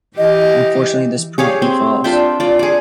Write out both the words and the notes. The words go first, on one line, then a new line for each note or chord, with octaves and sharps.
Unfortunately, this proved to be false.
E3 G4 D#5
G4 G#4 C#5 F5
C4
D4 F4 E5 G5
F4 D5
G#4 D5